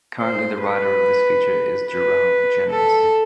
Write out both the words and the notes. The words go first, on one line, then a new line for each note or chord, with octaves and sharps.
Currently the writer of this feature is Geraint Jennings.
C5
B4
B4
A4